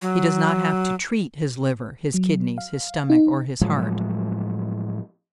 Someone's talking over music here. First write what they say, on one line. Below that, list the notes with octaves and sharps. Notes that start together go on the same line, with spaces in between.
He does not have to "treat" his liver, his kidneys, his stomach, or his heart.
F#3
F#3
F5
D#4
A2 F3 F#3 G#3